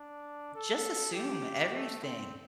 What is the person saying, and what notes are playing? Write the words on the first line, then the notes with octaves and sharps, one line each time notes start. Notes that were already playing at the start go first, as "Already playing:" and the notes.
just, assume everything
Already playing: D4
A4
G4
A3
C4